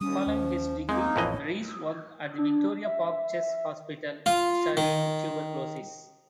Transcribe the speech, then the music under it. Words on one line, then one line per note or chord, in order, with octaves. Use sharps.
Following his degree, Rees worked at the Victoria Park Chest Hospital, studying tuberculosis.
D#2 G3 C#4 D#6
D#2 F3
G#3 A#3 C4 D#4
A1 F2 E3 C#5 D#5
D4
E5
F4
D#3